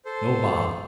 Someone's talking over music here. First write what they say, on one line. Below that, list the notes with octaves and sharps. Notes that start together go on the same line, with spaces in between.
No Bob.
A4 C5